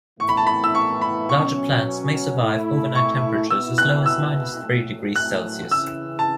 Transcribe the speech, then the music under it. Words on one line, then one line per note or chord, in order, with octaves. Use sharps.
Larger plants may survive overnight temperatures as low as minus three degrees Celsius.
A2 E3 B3 E4 C#6
B5
A5
B5
E6
C#6
B5
B2 F#3 C#4 C#6
A2 A3 E4
C#6
B2 B3 E4 E6
F#6
E6
A2 F#3 A3
F#6
C#3 E3 C#4 E4 E6
A5